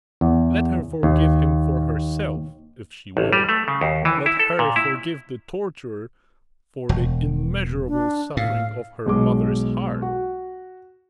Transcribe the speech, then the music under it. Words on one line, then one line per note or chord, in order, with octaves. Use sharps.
Let her forgive him for herself, if she will, let her forgive the torturer for the immeasurable suffering of her mother's heart.
E2
D#2
A1
G3
A3
C#3
D#2
E3
E4
A4
A#2
E4
E1
D4
A2 F5
B1 G#3 D6
F#4